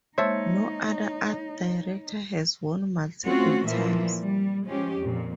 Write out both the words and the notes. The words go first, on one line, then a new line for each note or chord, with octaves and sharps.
No other art director has won multiple times.
G#3 A#3 D#4 C5 C#5 E5 A5
A3 C4 C#4 F4 F#4
A#2 E3 F3 A#3 E5
G3
F3 G#3 C#4 G4
F2 A#2